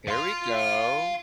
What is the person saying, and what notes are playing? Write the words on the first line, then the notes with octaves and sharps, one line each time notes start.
There we go.
F5 C6